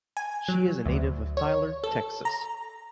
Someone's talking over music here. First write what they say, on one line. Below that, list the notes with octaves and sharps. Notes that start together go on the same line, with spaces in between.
She is a native of Tyler, Texas.
G#5
F#3
D2
C#5
A4
A#5